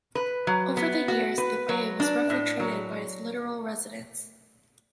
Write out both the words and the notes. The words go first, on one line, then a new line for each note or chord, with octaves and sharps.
Over the years, the bay was roughly treated by its littoral residents.
B4
F#3
B3
F#4
B4
F#3
D4
A2
F#3